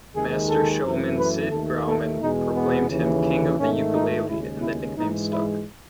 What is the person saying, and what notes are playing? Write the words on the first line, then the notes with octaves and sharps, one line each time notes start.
Master showman Sid Grauman proclaimed him "King of the Ukulele" and the nickname stuck.
D#2 D#3 G#3 G#4
A4
F#2 E3 A3
B4
D#2 D#3 A3 A4
A4
E2 B2 G#3 D#4
B3
D#2 C#3 E3
G#2 D#3 A3 C#4
D#4
D#2 C#3 G#3 E4
E4
G#2 E3 G#3 D#4
E4